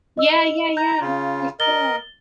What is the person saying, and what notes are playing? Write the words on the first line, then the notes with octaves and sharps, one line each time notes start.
Yeah, yeah, yeah. For sure.
D#5 E6
A#5 G6
C#3 F4
A#4 D#5 A6 G7